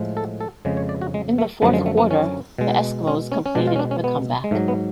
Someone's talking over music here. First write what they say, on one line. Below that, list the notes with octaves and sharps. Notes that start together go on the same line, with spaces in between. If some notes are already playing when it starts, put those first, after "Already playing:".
In the fourth quarter, the Eskimos completed the comeback.
Already playing: A2 F3 G#3
A4
A4
F2 C#3 G#3
C#5
D5
F#4
G#3
A3
F#2 D3 F3 G#3 B3
G#3
A3
B3
C#4
B2 G#3
C#4
C#4
C#4
B2 G#3 D4
F4
C#4
D4
C#4
B3
G#3
G#2 F#3 A3
B3